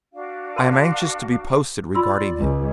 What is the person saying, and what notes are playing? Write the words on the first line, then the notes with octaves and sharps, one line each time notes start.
I am anxious to be posted regarding him.
D4 F#4 F5
A#4 A5 C6
F4 D5 C6 E6
C#2